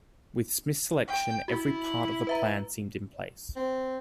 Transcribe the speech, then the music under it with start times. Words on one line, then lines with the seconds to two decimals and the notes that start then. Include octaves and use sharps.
With Smith's election, every part of the plan seemed in place.
1.08 G5
1.48 E4 F#4
1.82 F#7
2.27 B4 E5 A#5
3.56 C4